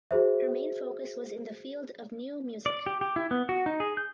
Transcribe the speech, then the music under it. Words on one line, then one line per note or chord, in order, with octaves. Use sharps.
Her main focus was in the field of Neue Musik.
F#4 G#4 C5 E5
D5
G4
G4
E4
B3
F#4
D#4
G#4
G6